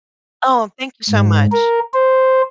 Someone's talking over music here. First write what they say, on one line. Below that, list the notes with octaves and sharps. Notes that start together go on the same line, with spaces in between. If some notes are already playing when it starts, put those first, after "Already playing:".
Oh, thank you so much.
G#2
A#4
C5